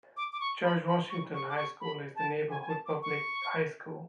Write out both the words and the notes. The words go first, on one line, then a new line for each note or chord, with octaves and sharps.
George Washington High School is the neighborhood public high school.
D6
D6
C#6
B5
B5
C#6
C#6
D6
C#6
B5
A5
G#5
G#5
A5
D6
C#6